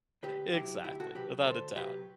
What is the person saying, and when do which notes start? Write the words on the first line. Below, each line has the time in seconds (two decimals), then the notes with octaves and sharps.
exactly, without a doubt.
0.23 D2 G4 B4
0.53 C3 F#3 E4 G4
0.84 D2 E4 G4
1.00 F#4 A4
1.15 C3 F#3 G4 B4
1.45 D2 A4 C5
1.76 C3 F#3 G4 B4